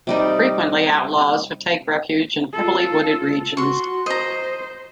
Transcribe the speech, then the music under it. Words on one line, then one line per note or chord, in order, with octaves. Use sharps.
Frequently outlaws would take refuge in heavily wooded regions.
C3 G3 D#4
F4 A4
F#4 C6 C#6
C5 D#5 A#5